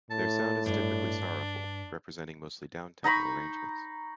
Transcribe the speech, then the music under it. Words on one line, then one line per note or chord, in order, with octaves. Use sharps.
Their sound is typically sorrowful, representing mostly down-tempo arrangements.
A2 A5
G2 D4
D#4 A#5 B5 C#6